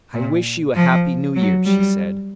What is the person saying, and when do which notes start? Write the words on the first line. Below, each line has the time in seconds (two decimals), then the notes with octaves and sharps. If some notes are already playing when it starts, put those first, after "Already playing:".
"I wish you a happy New Year," she said.
0.14 A#2
0.75 F3
1.36 F#3
1.65 G3